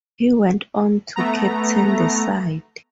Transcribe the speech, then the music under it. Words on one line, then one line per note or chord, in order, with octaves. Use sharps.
He went on to captain the side.
A3 B3 A#5